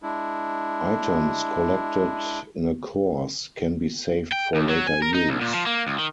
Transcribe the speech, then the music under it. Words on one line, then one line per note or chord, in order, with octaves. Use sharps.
Items collected in a course can be saved for later use.
G#3 D4 E4
G5
D#2
F#3
G#5
A#4
D#4
B1
A#2
F3
A#3
C#2
D#3